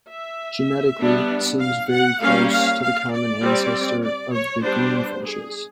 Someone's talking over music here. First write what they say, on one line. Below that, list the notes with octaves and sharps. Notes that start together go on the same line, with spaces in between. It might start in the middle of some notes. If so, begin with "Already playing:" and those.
Genetically, it seems very close to the common ancestor of the greenfinches.
E5
G3 B3 D4
F5
F#5
G3 A#3 C#4 F5
F5
F5
D5
G3 C4
D5
C#5
G3 B3 D4 C5
G#4